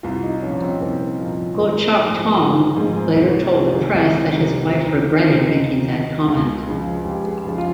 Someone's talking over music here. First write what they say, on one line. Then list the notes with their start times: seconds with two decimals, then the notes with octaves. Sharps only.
Goh Chok Tong later told the press that his wife regretted making that comment.
0.03 C2 F4
0.23 D#4
0.42 A#2 F3 C#4
0.62 C4
0.81 C2 A#4
1.20 A#2 F3
1.59 G#1 A#4
1.99 G#2 F3
2.30 A#4
2.37 G#1 G#4
2.76 G#2 F3 G#4
2.96 G#4
3.15 C2 A#4
3.35 A#4
3.54 C3 D#3 G#4
3.74 G#4
3.94 C2
4.32 C3 D#3
4.71 D#2 A#3
5.10 D#3 C4
5.49 D#2 D#4
5.88 D#3
6.27 C#2
6.66 C#3 F3
7.05 C#2 G4
7.24 G#4
7.43 C#3 F3
7.58 F4